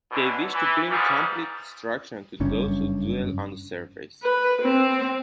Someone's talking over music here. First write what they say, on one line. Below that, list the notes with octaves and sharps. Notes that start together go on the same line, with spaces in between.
They wish to bring complete destruction to those who dwell on the surface.
F#2 B2 D3 E3
E3
G#2 E3 F3 G3
F#1 G2 C#4
B4
C4